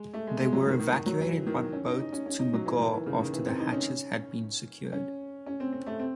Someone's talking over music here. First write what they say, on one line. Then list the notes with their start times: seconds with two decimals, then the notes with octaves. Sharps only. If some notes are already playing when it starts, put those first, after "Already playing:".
They were evacuated by boat to "McGaw" after the hatches had been secured.
Already playing: G#3
0.14 A3
0.27 G#3
0.40 G#3
0.53 F#3
0.67 D#3
0.80 D#3
0.93 D#3
1.06 F#3
1.20 E3
1.47 D#3
1.73 C#4
1.86 D#4
2.00 D#4
2.13 C#4
2.26 C#4
2.39 D#4
2.54 F#3
2.66 E3
2.79 D#3
2.93 E3
3.06 C#3
3.19 D#3
3.33 E3
3.47 C4
3.59 D#4
3.73 C#4
4.92 C#4
5.46 C#4
5.60 C4
5.72 C4
5.86 A3
5.99 C4